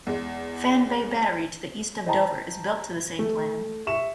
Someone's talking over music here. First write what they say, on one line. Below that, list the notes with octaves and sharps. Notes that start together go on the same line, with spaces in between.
Fan Bay Battery to the east of Dover is built to the same plan.
E2 G#3
C5 D#5 G5 A5 A#5
A3
E5 C#6 E7